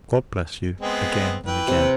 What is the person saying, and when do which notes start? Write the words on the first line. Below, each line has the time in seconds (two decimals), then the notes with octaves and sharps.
God bless you, again and again!
0.81 G#3 B3 C4
1.46 E3 B4 G5
1.68 C3